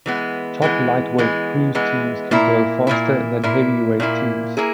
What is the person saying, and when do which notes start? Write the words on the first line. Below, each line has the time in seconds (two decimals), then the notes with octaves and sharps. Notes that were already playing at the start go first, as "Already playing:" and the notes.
Top lightweight crew teams can go faster than heavyweight teams.
0.06 E3 G#3 B3
0.62 E3 G#3 B3
1.18 E3 G#3 B3
1.75 E3 G#3 B3
2.31 A#2 A#3 E4
2.87 A#2 A#3 E4
3.43 A#2 A#3 E4
4.00 A#2 A#3 E4
4.57 A#3 E4 G#4